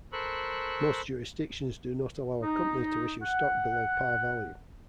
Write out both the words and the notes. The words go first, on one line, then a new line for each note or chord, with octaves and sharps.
Most jurisdictions do not allow a company to issue stock below par value.
A4 A#4 C5 B5 C#6 F#6
D#4
F#5